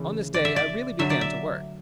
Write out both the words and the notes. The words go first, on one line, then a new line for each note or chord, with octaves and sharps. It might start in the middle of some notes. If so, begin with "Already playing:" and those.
On this day I really began to work.
Already playing: C#3 E3 A3
D5
E5
D5
D3 F#3 A3 E5
D5
E5